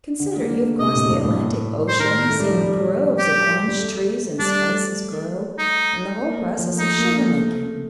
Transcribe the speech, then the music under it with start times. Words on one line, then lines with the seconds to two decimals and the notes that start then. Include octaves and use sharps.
Consider, you have crossed the Atlantic Ocean, seen groves of orange-trees and spices grow, and the whole process of sugar-making.
0.20 D3
0.40 A#3
0.60 A3
0.80 C3 D#5
0.94 A2
1.05 A2
1.10 G2
1.25 A2
1.88 C5
1.99 D#3 A#4
2.29 A3
2.40 G3
2.50 F3
2.61 G3
3.19 G4
3.68 G3
3.79 A3
4.39 G3 D4
4.69 A3
5.59 D#4
6.19 A#3
6.39 A3
6.59 F3
6.78 A3 D#4
6.98 A#3
7.19 A3
7.38 A3